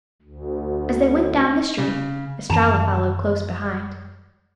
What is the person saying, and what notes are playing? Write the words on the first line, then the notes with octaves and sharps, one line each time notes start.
As they went down the street Estralla followed close behind.
D2
C#3
F#2 D#3 E3 A5 A#5